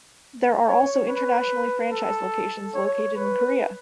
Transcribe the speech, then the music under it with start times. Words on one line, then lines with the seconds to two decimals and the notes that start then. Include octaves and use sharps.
There are also internationally franchised locations, located in Korea.
0.68 C#5
1.09 B4
1.91 A4
2.74 C#5
3.15 B4